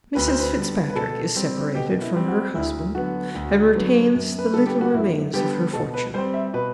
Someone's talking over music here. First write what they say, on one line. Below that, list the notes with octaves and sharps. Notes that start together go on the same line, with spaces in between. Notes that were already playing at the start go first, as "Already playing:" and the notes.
Mrs Fitzpatrick is separated from her husband, and retains the little remains of her fortune.
D2 B4
C5
B4
D3 G3 B3
B4
B2 A4
G3 C4
B2 G4
E4
G3 C4
F#4
D2 E4
D3 F#3 B3 F#4
D2
D3 F#3 B3
F#2
B4
D3 G3 B3 A4
G4
F#4
F#2 E4
D3 G3 B3 G4
B2 A4
B4
G3 C4 C5
E5
B2 B4